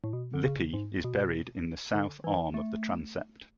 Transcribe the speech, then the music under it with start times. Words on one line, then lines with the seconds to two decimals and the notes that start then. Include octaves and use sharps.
Lippi is buried in the south arm of the transept.
0.04 A2
0.13 B2
0.34 D3
0.44 C#3
0.74 G#2
1.04 B2
1.95 D3
2.24 E3
2.54 A3